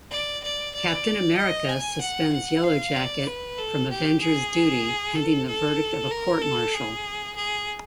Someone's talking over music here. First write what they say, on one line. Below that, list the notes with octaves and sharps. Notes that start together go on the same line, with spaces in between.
Captain America suspends Yellowjacket from Avengers duty pending the verdict of a court-martial.
D5
D5
D5
D#5
G#5
F#5
F#5
F5
D5
B4
A4
G4
G#4
A4
A4
A#4
A4
G#4
G#4